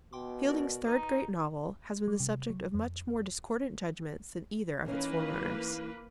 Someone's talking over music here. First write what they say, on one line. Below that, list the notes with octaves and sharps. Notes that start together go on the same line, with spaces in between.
Fielding's third great novel has been the subject of much more discordant judgments than either of its forerunners.
B2 G5 C6 D6
F#4 A#4 D5
D#4 B4
G3
C3
F#3
F2
E3 A#3 C#4 D#4 B4